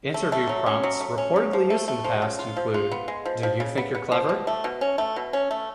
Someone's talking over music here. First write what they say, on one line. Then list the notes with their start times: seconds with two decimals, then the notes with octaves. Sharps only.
Interview prompts reportedly used in the past include Do you think you're clever?
0.14 A3
0.32 A3
0.49 F#3
0.66 C#4
0.84 F#3
1.00 A3
1.18 C#4
1.36 F#3
1.53 F3
1.70 A3
1.88 A3
2.04 F3
2.22 C#3
2.39 F4
2.57 F3
2.74 F4
2.91 B3
3.08 G#3
3.25 F3
3.43 F3
3.60 C#3
3.78 B3
3.95 B3
4.12 F3
4.29 B2
4.47 A3
4.64 B2
4.81 C#4
4.98 A3
5.16 B2
5.33 C#4
5.51 A3